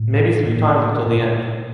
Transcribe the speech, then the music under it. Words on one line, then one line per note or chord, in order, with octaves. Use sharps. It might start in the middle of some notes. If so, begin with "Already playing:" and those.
Maybe three times until the end.
Already playing: A2
A2 A#3
A#2